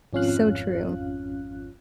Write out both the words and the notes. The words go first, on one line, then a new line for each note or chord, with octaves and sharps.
So true.
G#1 F2 C#4 F4 F5 F#6